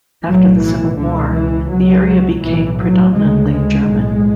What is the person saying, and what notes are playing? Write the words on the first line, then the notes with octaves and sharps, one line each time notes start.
After the Civil War, the area became predominantly German.
B1 A2 F#3
E3
C#2 B2 D3
E3
C#2 B2 F#3
F#3
B1 A2 E3
F#3
D2 C#3 G#3
G#3
B1 A2